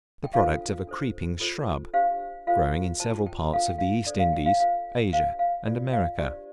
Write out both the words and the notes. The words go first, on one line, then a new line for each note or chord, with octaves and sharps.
The product of a creeping shrub, growing in several parts of the East Indies, Asia, and America.
G5
D4 F4 A4 C5 F5
D4 A4 C5
F4 A4 C5
D4 G4 C5 F5
F4 A4 C5 F5
F4 C5 A5
G5
D4 F4 A4 C5 F5
G5
F5
D4 A4 C5 D5
F5
G5
F5
F4 A4 C5 F5
D4 G4 C5 F5
F5
F4 A4 C5 D5
F5
D4 G4 C5 D5